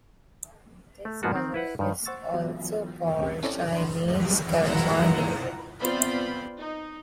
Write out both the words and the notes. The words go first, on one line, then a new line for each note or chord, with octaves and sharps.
This color is also called Chinese carmine.
A3
G#2 F3 A#3 B3 F4 F#4
D#3 C4
E4 B4 F#5
G2 D#3
C5 F#5 C#6 E6 A6
E3 F#3 B3 E4 F4
D2 C4 C#4 G4
C4 C#4 E4 A4 C#5 D5
D4 B5 C6
D#3 E4 F4 F#5 A#5
B3 C4 F4 C5 D5 B5
D#4